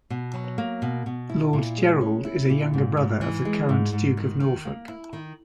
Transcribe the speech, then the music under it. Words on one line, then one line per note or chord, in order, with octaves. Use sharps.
Lord Gerald is a younger brother of the current Duke of Norfolk.
B2
F#3
A#3
B2
B2
E4
A#2
G#3
C#4
E4
A#2
G#2
G#2
E3
G#3
G#2
G#2
D#3
D#3
A#3
E4
D#3